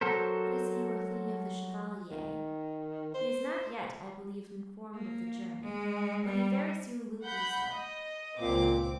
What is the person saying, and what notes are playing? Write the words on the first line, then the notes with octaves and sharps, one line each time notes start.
But I see you are thinking of the Chevalier; he is not yet, I believe, informed of the journey, but he very soon will be so.
F#3 F#4 A4 A#4 C5
D#3
C5
A#3
G#3
G3
F#5 B5 G6
D#5
C#2 A#2 C4 D6